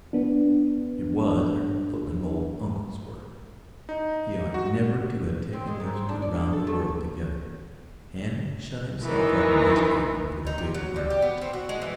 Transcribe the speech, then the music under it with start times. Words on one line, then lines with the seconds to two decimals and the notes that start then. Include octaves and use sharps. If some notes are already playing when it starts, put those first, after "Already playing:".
It was her footling old uncle's work; he ought never to have taken those two round the world together and shut himself up in his cabin for the greater part of the time.
0.13 B3 D4
3.89 D#4
4.54 F#4
5.53 C4
5.67 G#3
5.80 G#2
5.93 C4
6.09 D4
6.22 D5
6.35 B2
6.53 A4
6.67 A3
9.03 D#3 E3
10.47 D#4
10.58 C3
10.74 F#3
10.96 G3
11.10 G4
11.22 B3
11.41 C4
11.53 F#4
11.69 G#3
11.82 E3